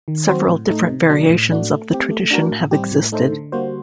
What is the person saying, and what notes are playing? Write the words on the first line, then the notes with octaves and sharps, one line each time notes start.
Several different variations of the tradition have existed.
D#3
F#3 C4 F#4 C5
A2
A3 D#4
C3
F#3 A#3 D4
A2
A3 D4 F#4
A3
C4 G4
A3
D4 F#4 A#4
A2
G3 C4 G4
A2
A3 D#4 A4 C5
D3
G3 A#3 F#4 C5